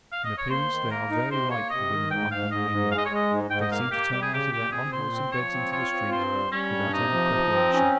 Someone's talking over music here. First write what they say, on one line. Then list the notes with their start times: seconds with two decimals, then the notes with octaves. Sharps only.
In appearance, they are very like the women among whom they live. They seem to turn out of their unwholesome beds into the street, without any preparation.
0.12 F5
0.24 D#5
0.38 C#5
0.50 A#3 C5
0.70 D#3
0.90 A#3 A#4
1.10 D#4
1.30 C3 C5
1.50 A#3 C#5
1.70 C3 D#5
1.91 D#3
2.10 G#2 G5
2.31 G#2 F5
2.50 G#2 D#5
2.71 G#2
2.91 G#3 F5
2.98 D#5
3.06 C#5
3.10 G#3 D#5
3.31 G#2
3.51 G#2 G5
3.61 D#5
3.71 A#3 F5
3.91 A#3 G4
4.11 G3 G4
4.22 G#4
4.31 C#3 G4
4.51 A#2 G4
4.71 C4 G#4
4.92 A#2 C5
5.12 C4
5.32 F3 C#5
5.52 C4
5.72 F4 C#5
5.92 C4
6.12 G2 C5
6.33 G3
6.52 G3 C#4
6.73 G2
6.93 C3 D#4
7.12 F3
7.33 F3
7.53 C4
7.73 C#4 D#4